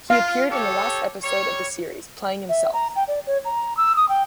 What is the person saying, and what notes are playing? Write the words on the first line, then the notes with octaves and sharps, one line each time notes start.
He appeared in the last episode of the series, playing himself.
F4 F5
G4 A4 C#5
G3 C#5
E5
A#5
G5
D5
C#5
A#5
E6
D#6
G5